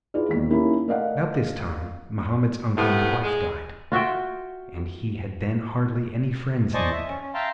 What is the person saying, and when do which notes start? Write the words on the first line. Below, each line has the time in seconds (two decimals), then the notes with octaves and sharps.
About this time Mohammed's uncle and wife died, and he had then hardly any friends in Mecca.
0.14 E4 F4 G#4 B4 D5
0.29 E1 D#2 B6
0.50 A#3 C#4 D#4 E4 G4 A#4
0.88 A3 A#4 D5 D#5 F5 F#5
2.77 A2 C3 B3
3.23 G#3
3.92 F4 F#4 E5 G5
6.74 C5 D5 D#5 G#5 A5 C#6
6.92 E5
7.08 C#4
7.21 C#4
7.34 E5 F5 G5 A5 A#5 C6